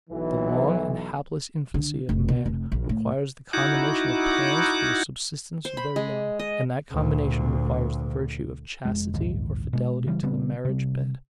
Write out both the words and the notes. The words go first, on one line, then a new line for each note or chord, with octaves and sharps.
The long and helpless infancy of man requires the combination of parents for the subsistence of their young; and that combination requires the virtue of chastity or fidelity to the marriage bed.
B1 E3
D3
F1
B2
F1
A#1
A2
D#4 E4 F#4 F#5 D6
C5
B5
G#3
D#5
D2 A#2
F1 D#2 G#3
A#1 D#2 G#2
B2 G#3
C#3 E3 G3
C#3 G3 B3 C4
C3 G3